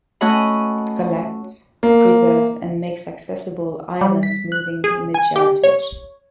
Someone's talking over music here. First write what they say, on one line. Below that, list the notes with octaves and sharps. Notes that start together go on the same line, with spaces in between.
It collects, preserves and makes accessible Ireland's moving image heritage.
A3 C#4 F#4 D#5 G#5 B5
A#3
G3
B6
F#6
G#4
G#5
G4
C#5